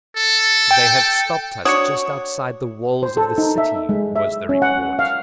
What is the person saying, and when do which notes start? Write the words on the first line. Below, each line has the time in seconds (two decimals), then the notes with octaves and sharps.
"They have stopped us just outside the walls of the city," was the report.
0.17 A4
0.71 G5
1.65 D4 F#4 C#5 D#6 C#7
3.03 C5
3.17 A4
3.38 D#4
3.58 E5
3.89 G#3
4.16 E5
4.49 C#4
4.62 F#5
4.99 F5